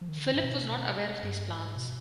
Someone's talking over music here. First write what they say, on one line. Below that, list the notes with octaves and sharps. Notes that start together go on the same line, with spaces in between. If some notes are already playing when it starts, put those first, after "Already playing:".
Philip was not aware of these plans.
F3
D#3
D3
G#2
B2
C3
B2
G2
G#2
B2